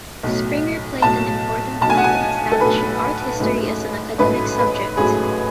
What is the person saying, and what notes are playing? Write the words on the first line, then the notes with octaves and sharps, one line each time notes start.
Springer played an important role in establishing art history as an academic subject.
B1 A2 F#3
B1 A2 F#3 A5
B1 A2 F#3 A5
G#5
F#5
G#5
A4
B1 A2 F#3 B4
A1 G#2 F#3 A3
A1 G#2 F#3 A3 B4
B4
A1 G#2 F#3 A3 G#4